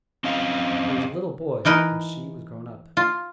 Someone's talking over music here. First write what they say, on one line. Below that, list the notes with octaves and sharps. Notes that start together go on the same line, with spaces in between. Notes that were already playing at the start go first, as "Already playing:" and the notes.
He was a little boy, and she was grown up.
C4 C#4 D#5 F5
E3 D#4 A#4 B4
F4